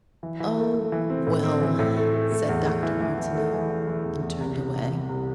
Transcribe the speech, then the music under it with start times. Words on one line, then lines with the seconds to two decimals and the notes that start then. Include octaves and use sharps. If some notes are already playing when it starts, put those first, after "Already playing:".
"Oh!--WELL!" said Dr. Martineau and turned away.
0.23 E3
0.40 E3
0.58 A3
0.75 A3
0.92 E3
1.10 C4
1.27 A2
1.44 C4
1.62 E3
1.79 A2
1.96 A3
2.13 A3
2.31 A3
2.49 E2
2.65 A3
2.83 E3
3.01 E3
3.18 E3
3.35 A3
3.53 E3
3.70 E3
3.87 E3
4.05 E2
4.22 E2
4.40 C2
4.57 C3
4.74 C3
4.92 G3
5.09 C2